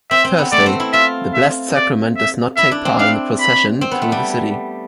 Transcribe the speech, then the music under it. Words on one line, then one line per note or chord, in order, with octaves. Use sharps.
Thursday, the Blessed Sacrament does not take part in the procession through the city.
C4 E5
C4
B3
A3 D5
C4
E4
F4 E5
E5
D5
E5
E4 E5
D4
C4
D4 F5
B5
C4
B3
A3
G3